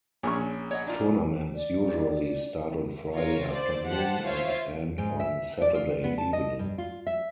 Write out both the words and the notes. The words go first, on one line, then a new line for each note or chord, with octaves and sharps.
Tournaments usually start on Friday afternoon and end on Saturday evening.
A#1 C#4 G#4 C#5 C#6
C#5 D#5 F#5
D4 D#4 F4
D5
F4 A#4 C#5
C5 D5
G4 C5 F#5 A5
F4 C5 C#5 E5 F5
G#2
E5
D5
F4
B3
A5
D#5
G2
F4
E5